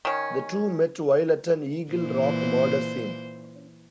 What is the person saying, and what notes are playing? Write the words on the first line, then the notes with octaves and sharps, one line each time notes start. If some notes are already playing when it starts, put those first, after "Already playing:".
The two met while at an Eagle Rock murder scene.
D#3 C#4
A#2 E3 C5